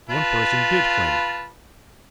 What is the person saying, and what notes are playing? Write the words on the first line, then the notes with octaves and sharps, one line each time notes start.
One person did claim it.
F4 B4 A5